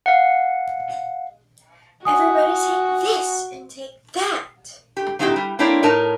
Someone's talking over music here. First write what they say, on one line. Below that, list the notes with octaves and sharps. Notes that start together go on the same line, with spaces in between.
Everybody take this, and take that.
F5 F#5
F#4 G#5 D#6
G4
F#3 C4 D#4 E4 F#4 G4
G3
A#3 C4 D4 E4 C#5 D5
A2 D#4 A#4 C#5 A5